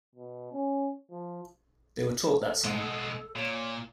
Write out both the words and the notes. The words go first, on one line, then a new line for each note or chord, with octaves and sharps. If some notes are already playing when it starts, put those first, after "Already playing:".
They were taught that song.
B2
C#4
F3
A4
B2 G#3
A#2 C#5